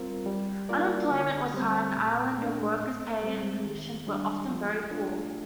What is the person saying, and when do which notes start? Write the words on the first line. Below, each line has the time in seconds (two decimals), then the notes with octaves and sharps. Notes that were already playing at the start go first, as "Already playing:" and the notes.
Unemployment was high in Ireland and worker's pay and conditions were often very poor.
Already playing: G3 C4 F4 A#4
0.26 G3
0.69 A#3 F4 A#4 D5
1.11 D3
1.54 G3 C4
1.96 A#2
2.38 A3 D4
2.80 A2
3.23 G3 C4
3.64 D#3
4.07 G3 D4
4.50 F3
4.91 A3 D4 F4 A4